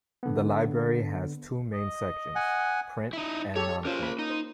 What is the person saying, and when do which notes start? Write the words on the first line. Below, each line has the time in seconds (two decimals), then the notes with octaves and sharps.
The library has two main sections, print and non-print.
0.23 D3 B3
1.74 D#5
2.35 F#5 G#5
3.13 D#4 E4
3.56 G4 A4 C#5
3.85 C#4 F4 A#4 C5
4.02 A#3 B5
4.19 D#4
4.30 C5